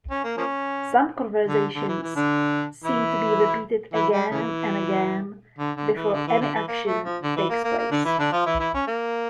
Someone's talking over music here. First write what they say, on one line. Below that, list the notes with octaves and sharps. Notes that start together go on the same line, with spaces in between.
Some conversations seem to be repeated again and again, before any action takes place.
C#4
A#3
F3 A#3 C#4
D3
D3
E3
E3
D3 D4
E3 E4
E3 E4
G3
C#3 E3
D3
D3
E3
D3
E3
D3
E3
A#3
A3
F3
D3
E3
A#3
A#3
A#3
D3 D4
E3 E4
D3 D4
F3 F4
E3 E4
E3 E4
C#4
A#3